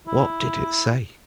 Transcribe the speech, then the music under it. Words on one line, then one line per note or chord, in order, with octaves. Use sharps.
What did it say?
E4